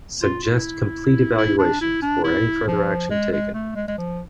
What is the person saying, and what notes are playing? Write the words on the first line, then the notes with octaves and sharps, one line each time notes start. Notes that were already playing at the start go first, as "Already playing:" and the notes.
Suggest complete evaluation before any further action taken.
F4
F4
E4
E4
D4
E4
D4
E4
F3
G#3
G#3
A3
G#3
G#3
F3